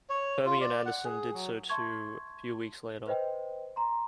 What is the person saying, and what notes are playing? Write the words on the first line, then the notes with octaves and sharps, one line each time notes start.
Fermi and Anderson did so too a few weeks later.
C#5
F4
D5
F#5
G#4
F#3
E5 A5 C6 C#6 G#6
B4 C5 D#5 G5
A#5 C6